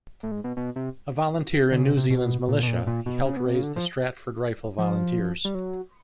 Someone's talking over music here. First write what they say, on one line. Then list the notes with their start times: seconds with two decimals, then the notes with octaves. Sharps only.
A volunteer in New Zealand's militia, he helped raised the Stratford Rifle Volunteers.
0.23 A2
0.31 G#2
0.44 B2
0.57 B2
0.76 C3
1.71 D3
1.79 C#3
1.85 C3
1.97 C3
2.10 B2
2.48 A#2
2.63 B2
2.68 A#2
2.87 A#2
3.06 B2
3.25 C#3
3.37 B2
3.46 C3
3.55 C#3
3.63 D3
3.76 F3
4.78 F3
5.45 G3
5.55 F#3